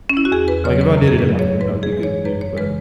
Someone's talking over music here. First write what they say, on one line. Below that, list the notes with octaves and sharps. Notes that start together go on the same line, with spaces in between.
Like, if I did it in my phone, that would be good too, but
C#4
E4
F#4
E2 G#4
B4
C#3 F#3 C#5
B4
F#2
G#4
B4
F#3
C#5
G#2 B4
G#4
E3 G#3
C#5
F#2 B4
C#5
C#3 E3 G#3 B4